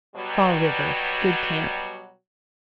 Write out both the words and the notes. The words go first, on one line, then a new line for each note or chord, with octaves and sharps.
Fall River.--Good camp.
B2 F#3 G3